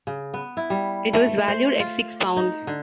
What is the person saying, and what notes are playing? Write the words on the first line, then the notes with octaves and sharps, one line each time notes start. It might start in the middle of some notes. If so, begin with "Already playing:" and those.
It was valued at six pounds.
C#3
B3
E4
G3
A3
C5
F4
D#4
D3